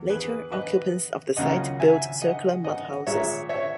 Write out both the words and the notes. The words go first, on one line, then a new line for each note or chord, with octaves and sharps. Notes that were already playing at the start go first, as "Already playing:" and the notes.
Later occupants of the site built circular mud houses.
Already playing: E2
G#4 B4
B4 D#5
C#2 C#3 F#3 A#3 D#5 F#5
E5 G#5
D#5 F#5
D#5 F#5
A#2 G#3 C#5 E5
C#5 E5